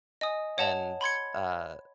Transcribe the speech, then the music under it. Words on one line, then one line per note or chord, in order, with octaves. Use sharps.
and, uh-
D#5 G#5 D#6
C#5 F#5 A5 F7
B5 C6 G#6 C#7